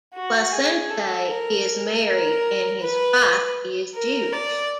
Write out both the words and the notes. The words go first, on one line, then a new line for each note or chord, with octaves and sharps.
Placente is married and his wife is Jewish.
F#4
G#4
A4
A#4
A#4
B4
A#4
D5